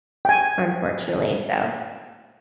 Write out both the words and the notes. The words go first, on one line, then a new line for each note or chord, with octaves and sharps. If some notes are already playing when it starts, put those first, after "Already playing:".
unfortunately, so
G5 G#5